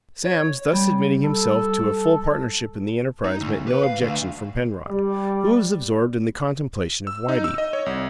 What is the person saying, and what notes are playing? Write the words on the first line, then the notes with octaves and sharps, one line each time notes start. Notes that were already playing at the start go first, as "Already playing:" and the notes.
Sam's thus admitting himself to a full partnership in the enterprise met no objection from Penrod, who was absorbed in the contemplation of Whitey.
C#5
G3
A4
D#4
D2
C#3
B4
F5
D2
G3 D5
E6
D#4
E6
D#5
C#5
C2